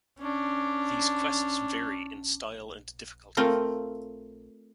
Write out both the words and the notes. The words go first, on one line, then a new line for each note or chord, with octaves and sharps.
These quests vary in style and difficulty.
C#4 D4
A3 C4 F4 A#4